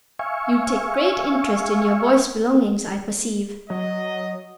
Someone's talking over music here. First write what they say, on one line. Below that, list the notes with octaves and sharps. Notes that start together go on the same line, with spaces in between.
You take great interest in your Boyce belongings, I perceive.
E5 F5 G#5 C#6
F#3 D#5